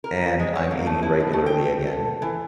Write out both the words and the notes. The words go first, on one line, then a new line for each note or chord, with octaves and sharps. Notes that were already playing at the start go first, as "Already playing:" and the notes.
And I'm eating regularly again.
A#4
F4
G#3
C#5
A#3
A3
E4
B2
A3
G5
A4
E3